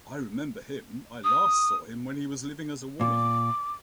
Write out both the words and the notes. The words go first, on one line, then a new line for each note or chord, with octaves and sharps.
I remember him. I last saw him when he was living as a woman.
D#6
A#2 D6